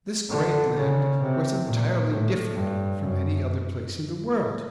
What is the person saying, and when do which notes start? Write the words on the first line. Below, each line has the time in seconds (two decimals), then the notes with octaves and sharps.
This great land was entirely different from any other place in the world.
0.31 D3
0.75 C#3
1.20 C3
1.65 A#2
2.11 A2
2.55 G2
3.00 F#2